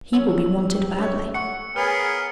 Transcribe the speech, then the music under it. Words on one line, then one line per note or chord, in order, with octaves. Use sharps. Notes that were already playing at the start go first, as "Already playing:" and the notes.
He will be wanted badly.'
F#3 C#4 E6
G4
A3 C#4 G4 C#5
F#5 C#6 C#7
B3 G#4 A#4 B4 C#5 F6